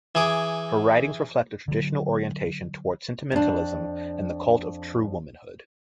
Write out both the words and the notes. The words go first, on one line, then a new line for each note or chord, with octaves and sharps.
Her writings reflect a traditional orientation toward sentimentalism and the cult of true womanhood.
E3 G#4 D6
D3 F#3
F2 D4